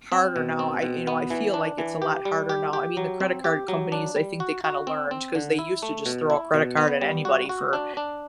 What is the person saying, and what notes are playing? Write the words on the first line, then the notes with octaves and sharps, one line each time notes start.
harder now, I you know, I feel like it's a lot harder now, I mean, the credit card companies, I think they kinda learned 'cause they used to just throw a credit card at anybody for
C4
B2
C4
B2
B3
E3
D4
E3
G4
G3
G4
G4
F#3
C4
G4
F#3
D4
G3
F#4
F#4
C4
C4
D3
E4
A3
B2
E4
B2
B3
G3
F#4
F#4
D4
D4